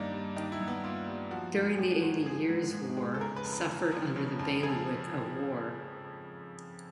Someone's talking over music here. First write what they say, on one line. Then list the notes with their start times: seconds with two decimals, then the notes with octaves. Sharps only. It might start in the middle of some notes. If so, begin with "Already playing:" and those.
During the Eighty Years' War suffered under the bailiwick of war.
Already playing: G2 D#3 A#3 D4 D#4
0.12 G3
0.36 D#3 D#4
0.52 E4
0.60 G2
0.68 B3
0.84 A#3 F4
1.08 G3
1.31 F3 F#4
1.55 G#2
1.70 G#4
1.78 G#2 G4
2.02 G#3 F#4
2.26 F3 G#4
2.50 G#2
2.74 G#2
2.97 G#3
3.14 A4
3.20 C#3 A#4
3.36 B4
3.44 F2
3.52 B4
3.68 F2
3.91 F3
4.16 C#3
4.39 F2
4.63 F2 G#4